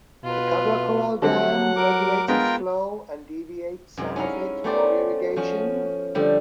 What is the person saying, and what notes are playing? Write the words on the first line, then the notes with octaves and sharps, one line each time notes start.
The Cabra Corral Dam regulates its flow, and deviates some of it for irrigation.
B2 F4 B4
D3 F#3 G3 C4 F#5
A#4 D6
G#3 B3 F4 A#4 G5
F#2 C3 G#3
C#4 D#4 E4 F5 F#5 A#5
A3 B3 C#4 G4 C5 D5
F3 C#4 F#4
D3 F3 G3 A3